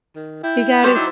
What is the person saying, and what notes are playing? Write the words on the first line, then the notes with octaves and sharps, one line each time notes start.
he got his
D#3
E4 G5
G3 B3 F#4 C5 D5
F#3 D#4 E4 G5